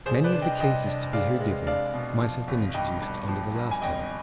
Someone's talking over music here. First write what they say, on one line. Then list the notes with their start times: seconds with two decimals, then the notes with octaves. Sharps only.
Many of the cases to be here given, might have been introduced under the last heading.
0.06 C2 G#4 C5
0.24 B4 D5
0.33 D4
0.42 D#5 G5
0.60 C2 D#5 G5
0.86 D4
1.13 G#3 D5 F5
1.40 G#3
1.67 D4 D5 F5
1.94 B2
2.21 F3
2.47 G#1
2.74 G2 D#5 G5
3.01 G2
3.28 F3
3.55 G2
3.71 G#5
3.82 G#1 D#5 G5